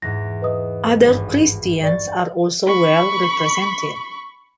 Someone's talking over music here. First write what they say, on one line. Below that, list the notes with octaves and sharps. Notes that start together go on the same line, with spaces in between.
Other Christians are also well represented.
E2 G#2 A#6
B4 D#5 D#6
G#1 G2
D5 C#6 A6
B5 C#6